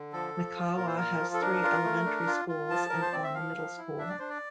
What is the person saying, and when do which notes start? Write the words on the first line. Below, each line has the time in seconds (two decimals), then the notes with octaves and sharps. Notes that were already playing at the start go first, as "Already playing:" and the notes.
Mikawa has three elementary schools and one middle school.
Already playing: D3
0.13 F3 A4
0.34 F3
0.56 F4
0.77 A#2 A#4
0.87 C5
0.97 F4 A#4
1.20 F3
1.34 A4
1.41 D4 A#4
1.63 F4
1.85 A3
2.06 D4
2.27 F4
2.48 F4
2.70 F3 A5
2.90 F3 A#4
3.01 C5
3.12 C4 D5
3.24 E5
3.35 F3 F5
3.56 F3
3.78 E4
3.98 D4 E5
4.09 D5
4.19 D4 C5
4.29 D5